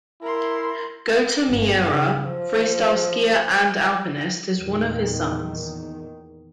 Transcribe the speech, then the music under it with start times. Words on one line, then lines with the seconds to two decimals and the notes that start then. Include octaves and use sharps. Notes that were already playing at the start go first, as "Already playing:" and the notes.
Gota Miura, freestyle skier and alpinist, is one of his sons.
0.22 E4 A#4 C6
1.48 G1
1.83 C#3
2.24 F3
4.59 E2 A#2 D#3